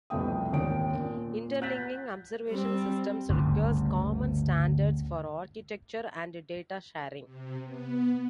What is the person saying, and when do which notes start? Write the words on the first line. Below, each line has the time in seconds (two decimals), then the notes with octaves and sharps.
Interlinking observation systems requires common standards for architecture and data sharing.
0.10 C2 F2 B2 A3 G5 D#6
0.52 G#1 D#2 A#2 C#4 G5 D7
0.94 A#2
1.62 F#6 G6 A6 B6
2.49 G3 C4
3.29 G1 D2 G2 C#3
7.23 C3
7.64 B3